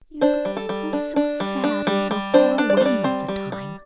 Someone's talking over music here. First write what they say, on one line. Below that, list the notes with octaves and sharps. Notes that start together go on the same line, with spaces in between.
But you look--oh, so sad and so far away all the time!
D4 C5
G3
A4
G3
D4
D4
G3
D4
G3
G3
D4 C5
D4
D5
C5
G3 D5
C4
G3
G3